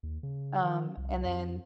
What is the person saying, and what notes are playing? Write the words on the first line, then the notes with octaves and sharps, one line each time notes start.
Um, and then,
D#2
C#3
D#3
C2
F2